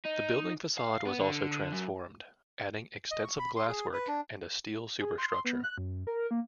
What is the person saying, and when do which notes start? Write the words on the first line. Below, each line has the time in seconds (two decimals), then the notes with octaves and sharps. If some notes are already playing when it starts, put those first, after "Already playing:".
The building facade was also transformed, adding extensive glasswork and a steel superstructure.
0.05 D#4
0.78 F5
1.05 B3
1.20 D3
1.72 F#2
3.11 D#5
3.24 C#6
3.39 B5
3.56 C6
3.68 G#4
3.93 B4
4.08 D4
5.01 G#4
5.18 C6
5.45 B3
5.64 F#6
5.78 F#2
6.07 A#4
6.31 A#3